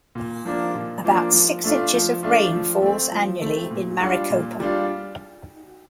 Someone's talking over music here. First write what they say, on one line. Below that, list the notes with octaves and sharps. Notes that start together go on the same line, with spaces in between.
About six inches of rain falls annually in Maricopa.
A#2
F3 A#3 D4 F4
A#2
F3 A#3 D4 F4
F3
A3 D4 F4
F3
A3 D4 F4
F3
A3 C4
F3
A3 C4
A#2
G3 D4 F4
A#2
G3 D4 F4